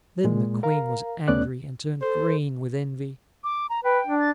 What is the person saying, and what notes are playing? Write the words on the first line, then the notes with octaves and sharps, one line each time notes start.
Then the Queen was angry, and turned green with envy.
A#2 G#3
A#4 F5 A#5
D#2 A3 B3 C#4 D5 F#6
A4 C5
D6
A#5
B4 G5
D4
A6